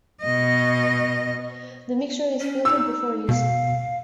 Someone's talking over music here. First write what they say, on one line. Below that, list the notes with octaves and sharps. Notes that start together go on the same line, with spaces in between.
The mixture is filtered before use.
B2 D#5
C#4
D#4 E6
B2 F5